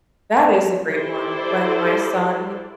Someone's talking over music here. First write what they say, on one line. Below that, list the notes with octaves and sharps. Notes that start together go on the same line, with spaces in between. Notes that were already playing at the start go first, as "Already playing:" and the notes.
That is a great one. When my son
E4 G4 A4 C5 D5